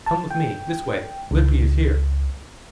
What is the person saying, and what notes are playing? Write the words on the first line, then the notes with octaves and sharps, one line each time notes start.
"Come with me--this way--Lippy is here!"
A5
G5
C#2